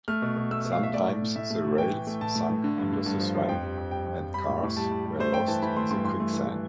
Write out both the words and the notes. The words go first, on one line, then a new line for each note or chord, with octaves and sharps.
Sometimes the rails sunk under the swamp, and cars were lost in the quicksand.
A3 F6
B2
B2
A3 E6
E6
B2
F5
A3 E5
A3 D5
A2
A2
A2 E5
A3
A2
E3 G5
A2
A3
A2 A5
A2
A2
D3
G2
D3
G2
F3
F3
F2 G5
G3
F2
G3 G5
F2
F2
G3 B5
A2
A2
G3 A5
G3
G3
A3 C5
G2 G5
E3 A5
E3 B5
A3 C6
G2 C6
E3 C6
A3
E3
A3